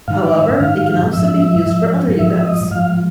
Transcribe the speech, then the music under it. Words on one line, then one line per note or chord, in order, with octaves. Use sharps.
However, it can also be used for other events.
G#2 D#3 F5
D5
E5
G#2 D#3 F5
G#2 F3 E5
G#2 F3
G#2 F3 E5
E5
D#5
G#2 F3 F5